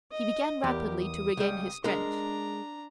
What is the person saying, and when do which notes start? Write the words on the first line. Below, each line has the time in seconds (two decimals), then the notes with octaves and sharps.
He began rapidly to regain his strength.
0.11 D#5
0.64 E2 G4 A#4
1.02 D#6
1.37 C#2 G3
1.84 G#3 D4 A#4 A#5